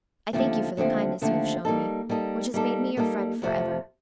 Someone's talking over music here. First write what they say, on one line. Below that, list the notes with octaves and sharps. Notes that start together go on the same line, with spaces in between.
I thank you for the kindness you have shown me, which has made me your friend for ever.
D#2 D3 F3 A3 C4
D#2 D3 F3 A3 C4
D#2 D3 F3 A3 C4
G3 A#3 D#4 A4
G3 A#3 D#4 A4
G3 A#3 D#4 A4
G3 A#3 D#4 A4
F2 C3 F3 A3